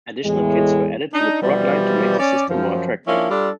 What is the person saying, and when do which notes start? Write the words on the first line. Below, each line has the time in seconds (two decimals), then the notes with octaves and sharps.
Additional kits were added to the product line to make the system more attractive.
0.24 E2 A2 G#3
1.13 D4 D#4
1.42 B2 E3 F3 G3
2.19 C#4 D5
2.50 F#2 F3
3.07 F3 A#3 C#4 D4 E4
3.31 G3 D4 F4 A4 D5